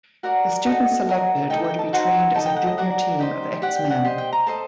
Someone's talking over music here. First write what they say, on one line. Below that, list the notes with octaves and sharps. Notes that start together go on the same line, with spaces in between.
The students selected were to be trained as a junior team of X-Men.
F#4 A#4 D5 F#5
F#4 A4 D#5
F#4 A#4 D#5
D#4 A4 D#5 G5
G5
A5
D#4 F#4 C5 F#5
D#4 A4 D#5 A5
G5
F#5
D#5
F#4 A#4 D5 F#5
D#4 G4 C5 D#5
G4 D5 F#5
G5
F#5
G4 C5 D#5
G5
A#5
A4 C5 D#5 A5